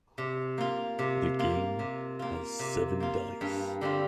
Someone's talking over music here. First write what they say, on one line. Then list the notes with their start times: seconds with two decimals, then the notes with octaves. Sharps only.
The game has seven dice.
0.18 C3
0.58 A#3 F4
0.99 C3
1.39 A#3 F4
1.79 C3
2.19 A#3 F4
2.59 C3
3.00 A#3 F4
3.41 G2
3.81 D3 G3 C4 F4